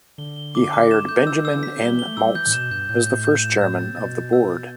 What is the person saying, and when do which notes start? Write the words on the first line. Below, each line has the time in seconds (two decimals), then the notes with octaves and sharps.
He hired Benjamin N. Maltz as the first Chairman of the Board.
0.18 D3 G7
0.36 G7
0.55 D6
0.73 D6
0.91 E7
1.09 A3 G6
1.19 G3
1.27 E3 E6
1.45 D3 E6
1.54 E3
1.63 D3 B6
1.81 G3 G7
1.94 E3
1.99 G7
2.07 A3
2.17 G3 E6
2.35 E3 G6
2.47 A2
2.53 B2 E7
2.71 G2 G6
2.89 A2 G6
3.07 G6
3.25 G6
3.43 E7
3.61 E6
3.79 A6
3.97 B2 A6
4.16 A6
4.33 E6
4.51 A6